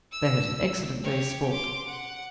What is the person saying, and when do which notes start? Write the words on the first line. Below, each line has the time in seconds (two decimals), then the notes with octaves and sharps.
They had an excellent day's sport.
0.12 E6
1.04 G4 C#5
1.52 C6 D6
1.88 F#5